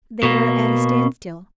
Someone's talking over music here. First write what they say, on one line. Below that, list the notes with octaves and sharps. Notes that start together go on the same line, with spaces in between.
They were at a standstill.
B2 A#3